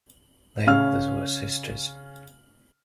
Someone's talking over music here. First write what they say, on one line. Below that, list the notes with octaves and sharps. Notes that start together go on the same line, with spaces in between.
Their mothers were sisters.
C#3 C#4 F5 F6